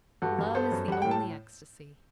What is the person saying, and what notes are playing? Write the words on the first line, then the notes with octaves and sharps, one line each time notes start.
Love is the only ecstasy.
G2 F#4 A4
G2
B3 A4 C5
F#2
G3 F#5
A2 G5
A5